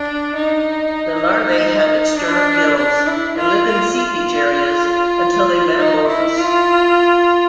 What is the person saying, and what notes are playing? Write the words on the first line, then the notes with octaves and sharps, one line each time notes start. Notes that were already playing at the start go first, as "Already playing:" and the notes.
The larvae have external gills, and live in seepage areas until they metamorphose.
Already playing: D4
D#4
D4
D4
E4
F4
F4
F4
D#4
E4
F4